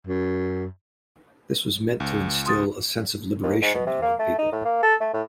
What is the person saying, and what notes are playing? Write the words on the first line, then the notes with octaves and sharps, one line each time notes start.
This was meant to instill a sense of Liberation among people.
F#2
C#2
C6 D#6 A6
D#2
G#2
B2
C3
A#3
A3
D#4
A2
A#3
A4
A3
A2